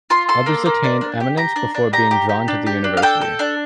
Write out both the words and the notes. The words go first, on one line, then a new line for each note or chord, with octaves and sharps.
Others attained eminence before being drawn to the university.
F4 C6
A4 C6
A#3
A#3
D4
D4
G4
G4 A#5
D4
D4
G4 A#5
G4
G4
D4
G4
D4
F5
A4 G5
A4
D4